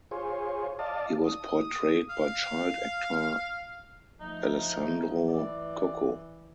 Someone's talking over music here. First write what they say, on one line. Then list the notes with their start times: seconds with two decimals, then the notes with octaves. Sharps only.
He was portrayed by child actor Alessandro Cocco.
0.11 F4 G#4 C5 C#5
0.79 D5 D#5 F5 A5
1.26 D#6
2.10 F5
4.20 F3 A3 D#4
5.28 E3 D5